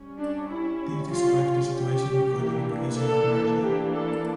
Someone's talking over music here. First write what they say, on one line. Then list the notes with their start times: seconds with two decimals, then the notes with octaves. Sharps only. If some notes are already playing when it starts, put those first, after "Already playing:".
This describes the situation before the unification of Mercia.
Already playing: G3 C#4
0.17 D4
0.47 E4
1.11 F4
1.73 G4
2.37 E3 A#3 D4
2.99 A4
3.62 G4
3.94 A4